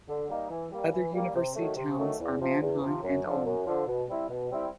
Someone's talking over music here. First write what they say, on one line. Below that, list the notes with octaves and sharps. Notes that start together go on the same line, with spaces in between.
Other university towns are Mannheim and Ulm.
D3
G3 A#3 D#4
E3
G3 A#3
E3
G3 A#3
C3
D#3 F#3 A3
C3
D#3 F#3 A3
E2
C3 F3
E2
C3 F3
F#2
D3 F3
F#2
D3 F3
B2
G3 C4 E4
B2
G3 C4 E4